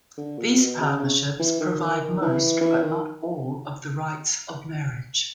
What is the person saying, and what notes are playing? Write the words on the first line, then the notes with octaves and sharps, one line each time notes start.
These partnerships provide most but not all of the rights of marriage.
D3
A#2
B2
C#3
C#3
E3
D#3
D#3
E3
E3
D#3